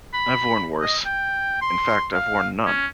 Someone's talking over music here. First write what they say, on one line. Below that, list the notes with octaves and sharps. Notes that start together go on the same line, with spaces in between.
I've worn worse — in fact, I've worn none.
B5
D#5
G5
C6
F5
C#4